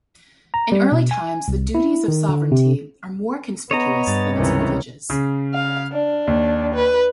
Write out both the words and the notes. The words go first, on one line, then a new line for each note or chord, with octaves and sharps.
In early times the duties of sovereignty are more conspicuous than its privileges.
A#5
G3
B2
G#5
C2
E4
D#3
D3
C3
B3 C#5 D#5 A#5
G2 A6
C#2 C3 D#3 E3 C#4
C#3
F5
D4
D#2
B4